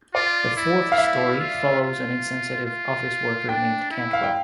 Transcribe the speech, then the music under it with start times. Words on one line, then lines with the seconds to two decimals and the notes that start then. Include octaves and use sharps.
The fourth story follows an insensitive office worker named Cantwell.
0.14 F4 D5
0.57 E4
0.92 F5
0.98 E4 E5
1.40 F4
1.81 F4
2.65 F4
3.49 D4 G5
3.90 E4
4.13 F5
4.23 G5